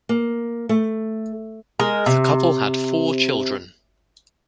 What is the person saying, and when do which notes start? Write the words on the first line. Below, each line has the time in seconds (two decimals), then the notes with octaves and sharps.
The couple had four children.
0.09 A#3
0.69 A3
1.80 G#3 A#4
2.06 C3